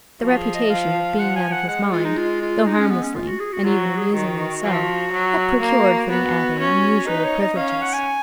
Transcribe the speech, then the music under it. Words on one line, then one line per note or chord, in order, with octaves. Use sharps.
The reputation of being out of his mind, though harmlessly and even amusingly so, had procured for the abbe unusual privileges.
F3 F#4
G#4
D#5
F3 F5
F3 F#5
G#5
F#5
G#3 F#5
F4
D#4
F4
F4
D#4
C#4
B3
C#4
F4
F#4
G#4
F#4
F#3 F4
F#4
G#4
D#3 F#4
F3
F#3
A#3
B3 F#4
C#4
D#4 B4
C#5
D#5
C#4 F5
F5
F#5
G#5